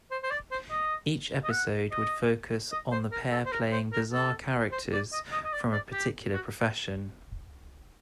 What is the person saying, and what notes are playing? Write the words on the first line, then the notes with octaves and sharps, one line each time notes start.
Each episode would focus on the pair playing bizarre characters from a particular profession.
C5
C5
D5
C5
D#5
D#5
F#5
D#5
D#5
C5
A#4
A4
C5
A#4
C5
A#4
A4
C5
D5
D#5
D#5
D#5
D5
D5
G4
F#4